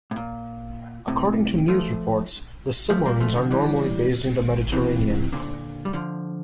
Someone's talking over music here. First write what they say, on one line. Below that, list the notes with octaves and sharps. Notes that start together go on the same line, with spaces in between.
According to news reports the submarines are normally based in the Mediterranean.
A2
A#2
A2 C3
F3 A3
F3 A3
G3 A#3
F3 A3
D3 F3
E3 G3
C3 E3
A#2 D3
G3
D3 F3